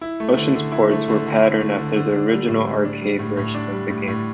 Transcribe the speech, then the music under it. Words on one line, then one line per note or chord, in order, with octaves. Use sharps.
Ocean's ports were patterned after the original arcade version of the game.
E4
A3
D3
D3
E4
A3
D3
D3
E4
A3
D3
D3
D4
G3
A2
A2
D4
G3
A2
A2
D4
G3
A2
A2